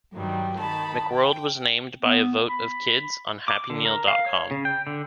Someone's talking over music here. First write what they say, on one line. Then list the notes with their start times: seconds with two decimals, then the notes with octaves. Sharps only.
McWorld was named by a vote of kids on happymeal dot com.
0.13 G2 D#3 F#3 G3
0.57 D#3 A5 B5
1.11 G5
2.03 B3
2.49 B5
3.48 D6
3.70 D3
3.85 A#4
4.08 F5
4.26 C#5
4.51 C#3
4.65 G5
4.87 D3